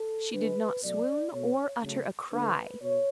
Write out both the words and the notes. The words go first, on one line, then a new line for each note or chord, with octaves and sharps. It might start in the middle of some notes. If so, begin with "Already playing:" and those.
She did not swoon or utter a cry.
Already playing: A4
D3 G#3 B4
B2 F#3 A3 D5
B2 A3 C#5
C#3 F#3 A3
D3 A3 B4
B2 C#5